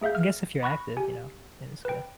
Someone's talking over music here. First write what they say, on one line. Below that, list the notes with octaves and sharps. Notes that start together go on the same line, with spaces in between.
guess if you're active, you know, then it's good.
A3 G#4 E5 F5 G6
F6
B5 C#6 F#6 A#6
G4 G#5
B4 G5